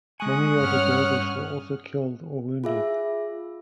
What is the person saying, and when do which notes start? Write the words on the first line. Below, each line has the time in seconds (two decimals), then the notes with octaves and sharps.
Many of the Dervish were also killed or wounded.
0.20 G#3 G#5 C#6 D#6 F#6
0.60 G2 C#4 C#5 F#5 F6
2.64 F4 G#4 E5